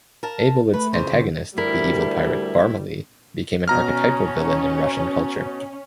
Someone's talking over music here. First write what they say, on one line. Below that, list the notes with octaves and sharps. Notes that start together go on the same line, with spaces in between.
Aybolit's antagonist, the evil pirate Barmaley, became an archetypal villain in Russian culture.
A#4 F5 A5
A3 B4
F2 C#3 C5
D3
D2 G3 E4 A#4
B2 C#4 A#5 F6